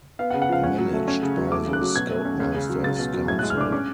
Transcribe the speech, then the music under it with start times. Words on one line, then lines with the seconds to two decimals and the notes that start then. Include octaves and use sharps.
Managed by the Scoutmasters' Council.
0.19 B3 F5
0.30 F#5
0.34 C#3
0.42 F#5
0.49 F3 F5
0.63 C#4 F#5
0.78 F#3
0.93 A3
1.08 C#4
1.22 C#3
1.37 F#3
1.51 A3 D6
1.66 C#3
1.73 F#6
1.81 F#3
1.96 B2 G#6
2.11 A3
2.25 C#4
2.40 C#2
2.55 C#3
2.69 F#3
2.83 C#2 A6
2.99 B2
3.13 F#3
3.28 A2 G#6
3.39 G#3 F#6
3.50 F6
3.57 D4 D6
3.72 C#4 D6